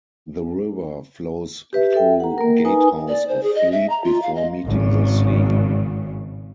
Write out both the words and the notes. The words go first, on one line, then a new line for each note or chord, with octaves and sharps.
The river flows through Gatehouse of Fleet before meeting the sea.
G4 B4 E5
A4 E5 G5
F#5 A#5
A#3 A#4
D#4 B4 G#5 D#6
D5
C5
G#4
D#5
E5
A#5
F4
F5
D#5
G#1 C#3